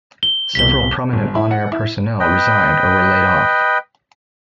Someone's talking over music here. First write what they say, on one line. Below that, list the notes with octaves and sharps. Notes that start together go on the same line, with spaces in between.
Several prominent on-air personnel resigned or were laid-off.
G7
C2 B6 G7
G1
E4
F#5
E4
B4 D#5 G5